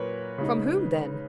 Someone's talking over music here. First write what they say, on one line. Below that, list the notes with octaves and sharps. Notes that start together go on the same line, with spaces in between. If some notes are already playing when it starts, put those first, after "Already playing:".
"From whom, then?"
Already playing: A#2 F#3 A#4 B4 C#5
C#3 G#3 D#4